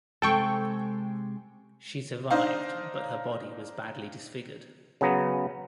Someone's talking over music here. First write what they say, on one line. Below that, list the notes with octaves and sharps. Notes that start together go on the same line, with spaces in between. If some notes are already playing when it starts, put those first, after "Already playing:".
She survived but her body was badly disfigured.
C3 G#3 A4 G5 C#6
D4 D#4 C5 F5
C#3 F#3 B3 A#5